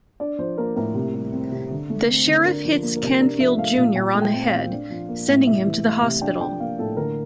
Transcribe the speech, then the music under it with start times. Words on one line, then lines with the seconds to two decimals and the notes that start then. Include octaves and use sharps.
The sheriff hits Canfield Junior on the head, sending him to the hospital.
0.20 D4 D5
0.39 F3 C5
0.58 A#3 A#4
0.76 A2 A#4
0.95 C3
1.13 G3
1.33 C4
1.51 C3
1.70 D3
1.90 A3
2.08 C4
2.27 D3
2.45 D4 A#4
2.65 F3
2.83 A#3
2.96 A#4
3.02 C3
3.20 D4 A#4
3.40 F3 E5
3.58 A3 F5
3.77 A#2 F5
3.95 A#2 G5
4.15 A3
4.22 G5
4.34 C4
4.47 F5
4.53 A#2
4.72 D4
4.90 F3
5.09 A#3
5.28 A2
5.46 C3 E5
5.66 E3
5.84 A3 F5
6.02 C3
6.21 D4 G5
6.40 F3 G5
6.60 A#3 F5
6.78 A2 A4
6.96 D3 A#4